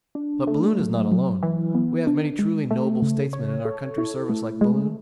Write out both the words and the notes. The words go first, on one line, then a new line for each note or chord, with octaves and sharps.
But Balloon is not alone, we have many truly noble statesmen in our country's service like Balloon.
D4
A3
F#3
F#3
E3
B3
D4
G#3
A3
C#3
C#5
A4
E4
A3
G#3